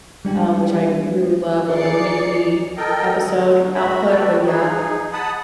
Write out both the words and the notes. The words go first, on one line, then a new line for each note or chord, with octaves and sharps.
um, which I really love like a weekly episode output, but yeah,
G3 G#3 D4 G4
D#4 G#4 D5 C7 C#7
A4 A#4 D#5 G5
D3
F#4 E5 B5
F#4 A4 B4 D5 G5
D#4 G#4
F#5 A5 B5 D#6